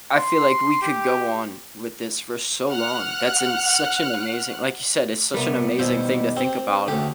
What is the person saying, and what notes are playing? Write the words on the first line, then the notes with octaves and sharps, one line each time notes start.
I feel like we could go on with this for so long. That's an such an amazing like you said, it's such an amazing thing to think about,
C6
G4
F#5 F6 F#6
C3 G3 B3 A#4 B4
B2 D#3 E4 C5 D#5
C4 G4
D2 D3 A3 C#4 G4